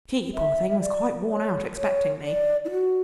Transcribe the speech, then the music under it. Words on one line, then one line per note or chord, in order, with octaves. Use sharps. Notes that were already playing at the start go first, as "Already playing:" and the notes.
She, poor thing, was quite worn out expecting me.
E5
E5
D5
C#5
C#5
D5
E4
F#4